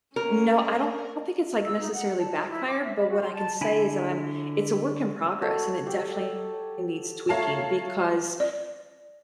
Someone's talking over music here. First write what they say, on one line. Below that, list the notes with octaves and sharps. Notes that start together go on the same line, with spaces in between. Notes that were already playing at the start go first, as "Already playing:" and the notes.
No, I don't think it's, like, necessarily backfired, but what I can say is that I'm it's a work in progress, and it definitely needs tweaking because
A#3 C#4 A#4
E6
D#4
F#5
A5
D#4
E4
D6
E5
B5
F#4
C6
A5
D3 E4 G#5 B5
F#4 A4 C#5
G4
A3 C#5 F5 A5 A#5
D5